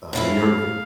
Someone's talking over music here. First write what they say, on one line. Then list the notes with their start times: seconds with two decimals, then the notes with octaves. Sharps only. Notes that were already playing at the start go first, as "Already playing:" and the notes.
Uh, have you heard of him?
0.13 A2 E3 A3 E4 F5